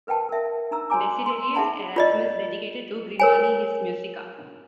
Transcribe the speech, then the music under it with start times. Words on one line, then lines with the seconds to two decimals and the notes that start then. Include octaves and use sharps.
Desiderius Erasmus dedicated to Grimani his "Musica".
0.07 A#4 B4 F#5 G5 A5
0.29 A#4 E5
0.71 D#4 A#5 E6
0.90 F#4 C5 C#5 G#5 A#5 D6
1.26 C6 E6
1.55 D#4 G#4 E5 F#5 A5 B5
1.96 F4 D5 D#5
3.20 A#4 C#5 G#5